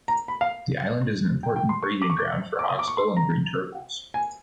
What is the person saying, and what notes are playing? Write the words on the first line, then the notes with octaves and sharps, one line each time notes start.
The island is an important breeding ground for hawksbill and green turtles.
A#5
B5
F5
G5
G5
C6
C#6
D6
C#6
D6
D6
D#6
D6
C#6
C6
A#5
G#5